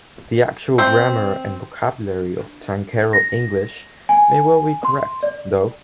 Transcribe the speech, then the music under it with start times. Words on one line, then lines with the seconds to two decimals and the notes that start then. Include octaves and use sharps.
The actual grammar and vocabulary of "tankero English" may well be correct, though.
0.78 C4
3.13 A#6
4.09 G#5
4.85 C6
5.23 D5